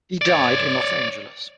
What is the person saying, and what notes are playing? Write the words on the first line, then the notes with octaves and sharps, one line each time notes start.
He died in Los Angeles.
C#5 D5